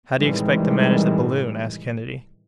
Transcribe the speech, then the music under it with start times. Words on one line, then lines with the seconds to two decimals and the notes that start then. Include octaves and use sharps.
"How do you expect to manage the balloon?" asked Kennedy.
0.20 A2 C3 D#3 E3 G3 G#3